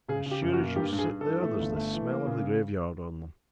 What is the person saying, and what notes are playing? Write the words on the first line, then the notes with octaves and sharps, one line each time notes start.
As sure as you sit there, there's the smell of the graveyard on them.
C#3 G#4
C#3
G4
F#2
F#4
A#3
G2 G4
G2
G#4
G2
E3 A4
A3
G1
A3
E3
A#3
C#3